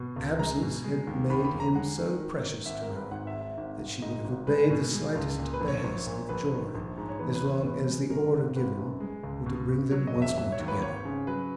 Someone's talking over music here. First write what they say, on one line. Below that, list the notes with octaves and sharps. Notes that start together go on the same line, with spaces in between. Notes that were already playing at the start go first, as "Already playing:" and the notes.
Absence had made him so precious to her, that she would have obeyed the slightest behest with joy as long as the order given were to bring them once more together.
Already playing: B2
C#2
G#3 A#5
B2
G#3
D#2
D#2 B5
B5
E1
A#5
G#3 F#5
D#3
D#3
D#3
G#1 E5
A#4
G#2
B4
G#1 F#5
E5
G#2
E5
G#1
G#1
G#2 D#5
G#1
G#3 B4
B2
G#3
C#2
A#2
B4
A#1
C#5
A#1
A#2
A#1 B4
D#3
A#1
G#2
C#5
E2 B4
B4
E2
C#5
B2 B4
G#3
F#2 A#4
G#1
G#1 B4
F#2
G#3
C#2
B2
B2
F#3 C#5
D#5
E1
E5
F#3 E5
C#5
D#2
B4
G#1 C#5
C#3
F#3 B4